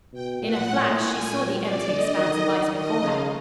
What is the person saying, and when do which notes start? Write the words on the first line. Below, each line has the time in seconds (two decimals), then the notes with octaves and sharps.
In a flash she saw the empty expanse of ice before her.
0.13 B2 G5
0.42 A#2 F#5
0.71 A2 G5
1.00 A#2 G#5
1.28 G5
1.58 D5
1.86 D3 D#5
2.16 D#3
2.44 D#3 D5
2.72 D#3 D#5
3.02 C#3 F5